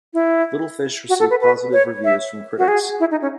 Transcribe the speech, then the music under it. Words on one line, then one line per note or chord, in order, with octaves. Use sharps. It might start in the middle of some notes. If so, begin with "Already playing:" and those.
"Little Fish" received positive reviews from critics.
E4
F#4
A4
B4
B4
C#5
E5
F#4
G#4
E4
D#4
C#4